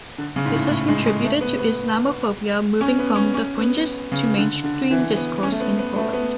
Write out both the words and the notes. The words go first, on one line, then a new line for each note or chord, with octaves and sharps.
This has contributed to Islamophobia moving from the fringes to mainstream discourse in Poland.
D3
C#3
G#2
A2
A2
G#3
G#3
A3
B3
B3
C#4
B3
C#4
C#4
B3
C#3
D3
D3
E3
B3
C#4
A3
B3
B3
A3
B3